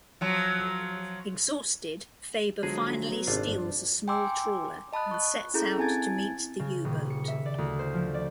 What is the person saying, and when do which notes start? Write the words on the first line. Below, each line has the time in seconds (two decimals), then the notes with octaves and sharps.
Exhausted Faber finally steals a small trawler and sets out to meet the U-boat.
0.21 F3 F#3
2.63 D3 F3 F#3 G#3 G#4
3.09 F#3 B3
3.27 G#1 C3 D4 F4 G4
3.47 G2 F3
4.08 G5 G#5 A#5 C6 D6 E6
4.93 D#5 A5 B5 D#6 F#6
5.11 C#6 F#6
5.54 C#4 E4 G#4 A4 A#5 G6
5.78 C4 E4 G#5 A5 G#6 A6
6.59 C#3
6.84 D#1
7.10 C#7
7.28 E5
7.46 D5
7.58 D2
7.79 C5
7.94 F3
8.14 D5